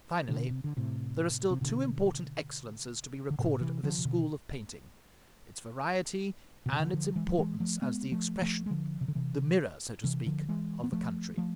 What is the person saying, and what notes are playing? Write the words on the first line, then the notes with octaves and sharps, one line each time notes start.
Finally, there are still two important excellences to be recorded of this school of painting: its variety, and its importance as the expression--the mirror, so to speak--of the country.
B2 D3
C3
D3
A2 C3
C3
B2 D3
D3
A2 C3
C3 E3
D3 F3
C3
B2 D3
B2
C3
D3
E3
D3 F3
E3 G#3
F3
E3 G#3
F3 A3
G#3 B3
F3 A3
F3 A3
G#3
D3 F3
C3
D3
C3 E3
C3 E3
D3 F3
E3 G#3
B3
F3 A3
F3 A3